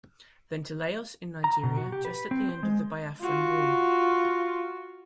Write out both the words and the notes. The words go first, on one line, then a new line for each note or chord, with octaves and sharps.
Then to Lagos in Nigeria just at the end of the Biafran War.
A#5
B2
F#4
G4
B4
C4
C5
G#3
F4 F#4